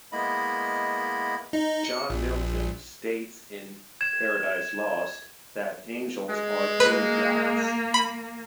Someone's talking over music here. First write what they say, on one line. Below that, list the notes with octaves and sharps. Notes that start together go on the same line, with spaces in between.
John Milton states in "Paradise Lost" that angels are demigods.
G#3 A#3 B3 E4 D#5 B5
D#4
C#7
A#1
G#6 E7
G#3
A#3 B4
B5